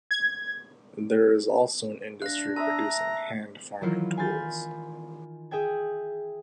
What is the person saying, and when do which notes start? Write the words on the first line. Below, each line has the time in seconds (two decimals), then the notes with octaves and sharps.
There is also an industry producing hand farming tools.
0.11 G#6
2.22 D4 F5 F#6 A#6
2.56 E5 A5 A#5 D#6 E6
3.81 D#3 E3 F#3 E4 F4
4.17 G#5 B5 C6 F6 G6 A6
5.51 G#4 E5 G5 G#6